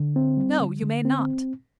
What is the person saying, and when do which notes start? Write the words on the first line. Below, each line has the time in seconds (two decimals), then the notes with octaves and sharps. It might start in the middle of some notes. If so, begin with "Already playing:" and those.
"No; you may not."
Already playing: D3
0.16 C4
0.37 G3
0.60 D3
0.82 D3
1.05 C4